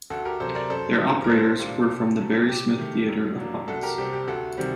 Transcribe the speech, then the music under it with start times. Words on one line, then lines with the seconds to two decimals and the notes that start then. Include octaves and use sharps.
Their operators were from The Barry Smith Theatre of Puppets.
0.10 D2 F#4 A4
0.25 G4 A#4
0.40 C3 F#3 A4 C5
0.55 A#4 D5
0.70 F#2 A4 C5
0.99 D#3 G3
1.24 A#4
1.29 C2 A4 C5
1.59 A#2 G3 A#3 D4
1.89 C3
2.19 F#3 A3
2.49 C3 G4
2.78 D#3 A3
3.09 F#2
3.38 F#3 A#3 D4
3.68 C2 F#4 A4
3.83 G4 A#4
3.98 C3 G3 C4 G4
4.13 G4
4.27 D2 F#4 A4
4.57 C3 D#3 G3 C4